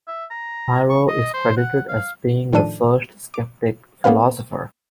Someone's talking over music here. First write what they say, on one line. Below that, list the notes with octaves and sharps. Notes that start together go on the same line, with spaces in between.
Pyrrho is credited as being the first Skeptic philosopher.
E5
A#5
C#6
D#5
C5
F#5
F5
A2 D#3 F3 D4 A4 D#7
D6
A#3 B3 C#4 B4 F5